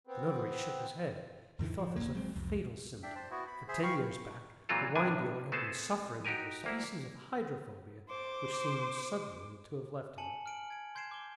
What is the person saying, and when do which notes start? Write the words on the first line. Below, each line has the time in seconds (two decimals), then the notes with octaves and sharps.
The notary shook his head; he thought this a fatal symptom; for ten years back the wine-dealer had been suffering under a species of hydrophobia, which seemed suddenly to have left him.
0.07 B3 C4
1.59 F2 A2 D#3 E3
1.79 F3
1.96 D#1 A1 A2 A#3
2.15 F#3 G#3 C4
2.36 C2 F2
3.03 D4 E5 G5
3.16 C5 A5
3.31 B3 E4 F#4
3.47 B5
3.68 G#4 C5 E5
3.83 F5 G5 B5 C#6
4.69 A#2 E3 F#3 C4 F4 A4
4.96 A2 C3 G3 D4 G#5
5.52 A3 B3 C4 G#4 C5 A5
6.25 D#4 F#4 G4 A#4 G#5
6.64 D2 A#3 E4
8.08 C5 D6
10.18 G#5 A5 C#7 F#7
10.46 F6 D7 F#7
10.70 G#6 D7
10.95 C6 G6 G#6 C7 D7 E7
11.11 D6 G7